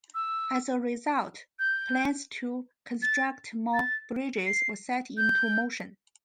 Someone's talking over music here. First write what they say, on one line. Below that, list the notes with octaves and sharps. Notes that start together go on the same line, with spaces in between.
As a result, plans to construct more bridges were set into motion.
E6
G6
A6
A6
C7
G6